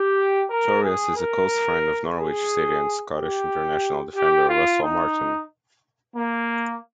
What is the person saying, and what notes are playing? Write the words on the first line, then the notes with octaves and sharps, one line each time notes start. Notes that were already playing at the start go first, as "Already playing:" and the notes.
Torres is a close friend of Norwich City and Scottish International defender Russell Martin.
Already playing: G4
A#4
G#4
A#4
G#4
G4
G4
F4
D#4
A#3